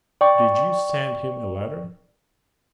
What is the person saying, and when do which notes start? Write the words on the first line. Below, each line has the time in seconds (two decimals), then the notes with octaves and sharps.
"Did you send him a letter?"
0.21 D5 G5 C#6